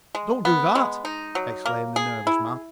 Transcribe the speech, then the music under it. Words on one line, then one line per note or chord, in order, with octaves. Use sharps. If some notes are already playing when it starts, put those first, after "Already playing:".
"Don't do that!" exclaimed the nervous man.
G#3
B3
G#3
D#4
F#3
A#3
G#4
E4